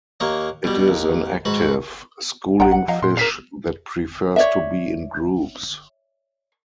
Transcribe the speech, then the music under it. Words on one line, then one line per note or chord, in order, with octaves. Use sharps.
It is an active, schooling fish that prefers to be in groups.
D#2 A#3 C#5 D#5
B2 G3
D#2
G#2 F#4 B4
A1 D#3 G3 F#5 G5 A#5
F#5
F3 D#5 F5 F#5 A#5
A#2 E4 C6
C#3 A#4 B6 C7
C#5 D5 E5